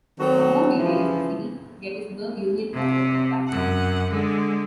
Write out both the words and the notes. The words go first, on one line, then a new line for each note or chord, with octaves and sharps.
For more details, see Gettysburg Union order of battle.
D#3 F#3 C4 F#4 A4
C#3 E3 F3
C3
F#2 F#5
D3 G#3